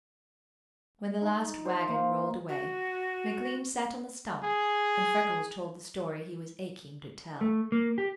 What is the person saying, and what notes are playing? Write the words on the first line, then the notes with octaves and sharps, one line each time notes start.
When the last wagon rolled away, McLean sat on the stump and Freckles told the story he was aching to tell.
D#4
C5
A#3
F#4
G#4
A3
A#3
G4